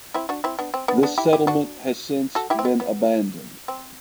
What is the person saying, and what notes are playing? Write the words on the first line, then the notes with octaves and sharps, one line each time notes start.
This settlement has since been abandoned.
C4 E4
D4 F#4
C4 E4
B3 D4
C4
B3 D4
B3 D4
E4 G4
E4 G4
D4 F#4
F#4 A4
E4 G4
C4
B3
B3
C4